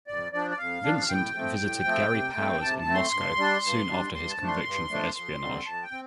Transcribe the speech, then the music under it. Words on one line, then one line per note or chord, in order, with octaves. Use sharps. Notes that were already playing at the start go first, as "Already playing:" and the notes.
Vincent visited Gary Powers in Moscow soon after his conviction for espionage.
F2 D5
F3 D4 D5
D5
F2 F5
F3 D4
A2 G5
F3 A3 C4
A2
F3 A3 C4
C3
A3 C4
C3 A5
A5
A3 C4
C6
G2
G3 D4
G2
G3 D4
G2 C6
A5
F3 A3 D4
C6
G2
F3 A3 D4
F2 C6
D3 G3 C4
F2 A5
G5
C4